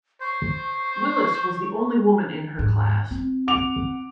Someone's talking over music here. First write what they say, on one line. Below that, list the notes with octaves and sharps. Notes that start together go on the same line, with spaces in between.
Willis was the only woman in her class.
C5 C#6
D#2 G#2
C4
F#5 D6 F7